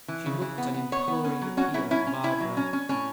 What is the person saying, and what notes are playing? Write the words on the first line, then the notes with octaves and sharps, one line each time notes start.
She looked an imploring appeal at Barbara.
E3
C#3
E3
B3
B3
B3 C#5
B3
C#4
F#3
C#4 F#4
F#3 E4
C#4 E4
C#4
C#4 E4
F#3
C#4
C#4
A2 C#4